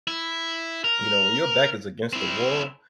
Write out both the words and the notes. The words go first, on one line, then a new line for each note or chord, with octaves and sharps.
you know, "When your back is against the wall,
E4
A#4
C4 E4